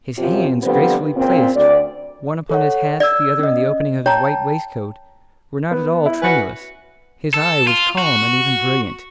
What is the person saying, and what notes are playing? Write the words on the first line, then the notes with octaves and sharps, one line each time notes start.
His hands, gracefully placed, one upon his hat, the other in the opening of his white waistcoat, were not at all tremulous; his eye was calm and even brilliant.
F#2 C3 F3
D3 F3 G3 B3 C4
A#2 C#3 C4
D2 D5
A4 C#5 F#5
D5 E6 G#6
C#4 D#5
C#5 G5 A5 A#5
B3
E4
C#4 F#4 B4
A4
F4
F#4